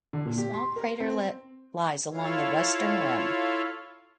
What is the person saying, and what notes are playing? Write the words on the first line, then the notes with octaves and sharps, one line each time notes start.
A small craterlet lies along the western rim.
D3
A#2
G4
C6
A#4
C4
E4 F4 A4 C#5 F5